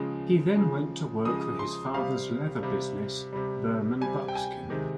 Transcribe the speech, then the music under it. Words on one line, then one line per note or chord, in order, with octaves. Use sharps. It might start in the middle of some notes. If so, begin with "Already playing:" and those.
He then went to work for his father's leather business, Berman Buckskin.
Already playing: C#3 F3 G#3
C#3 F3 G#3
C#3 F3 G#3 D#6
C6
C3 G3 F5
C3 G3
C3 G3
C3 G3 G#5
G5
G#5
C3 D#3 G#3